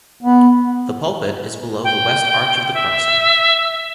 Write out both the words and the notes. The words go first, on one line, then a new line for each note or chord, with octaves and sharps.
The pulpit is below the west arch of the crossing.
B3
G5
E5